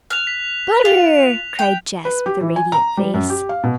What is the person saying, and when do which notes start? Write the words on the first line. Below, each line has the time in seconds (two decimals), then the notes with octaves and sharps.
"Butter!" cried Jess with a radiant face.
0.10 F6 F#6 F7
0.27 B6
0.85 F4 F7
1.59 G5
2.05 B4
2.26 G4
2.41 E3
2.56 G#5
2.72 A#5
2.97 G3
3.14 F#2
3.29 G4
3.49 F5
3.63 B2